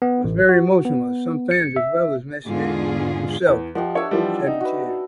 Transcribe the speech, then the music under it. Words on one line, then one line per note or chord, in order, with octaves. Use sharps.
It was very emotional as some fans as well as Messier himself shedding tears.
B3
A1
F#4
B3
C#7
E5
E2 G#2 D3 F4 G#4
E2
F3 G4 D#5 F#5
D4 C#5 E5
E3 F3 G3
D#4
F#4 B4